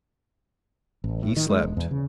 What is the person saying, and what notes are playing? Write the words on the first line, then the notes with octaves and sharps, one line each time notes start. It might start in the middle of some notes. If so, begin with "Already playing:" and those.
He slept.
A1
A2
D#3
G#3
E1
E2
C#3